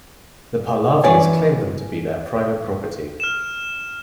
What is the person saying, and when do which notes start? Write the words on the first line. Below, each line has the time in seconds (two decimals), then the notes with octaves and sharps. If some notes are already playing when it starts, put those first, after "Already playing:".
The Pahlavi's claimed them to be their private property.
1.04 E3 C#5 D5 G#5
3.20 F6 E7